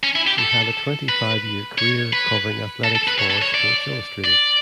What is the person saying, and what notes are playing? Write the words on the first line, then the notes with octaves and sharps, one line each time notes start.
He had a twenty-five-year career covering athletics for "Sports Illustrated".
C#4
E4
G4
A4
B4
C#5
B4
A4
A4
B4
C#5
A4
C#5
D5
D5